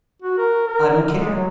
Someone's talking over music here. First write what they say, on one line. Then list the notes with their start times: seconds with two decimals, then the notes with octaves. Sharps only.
I don't care!
0.22 F#4
0.38 A#4
0.67 A#4
1.02 D3
1.19 G#3
1.34 F#3